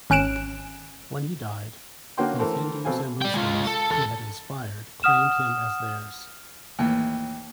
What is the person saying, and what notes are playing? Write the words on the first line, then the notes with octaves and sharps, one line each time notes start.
When he died, both Hindus and Muslims he had inspired claimed him as theirs.
G#1 C#4 F#6 D7 E7
D3 A#3 C#4 F#4 G5 C6
E3 A3 A4 A#4 C5
B2 C4 A4 F5 G#5
D5 G5
G#3 F4
A4
E2 A4
F#5 D#6 F6 E7
D#2 A2 E3 A#3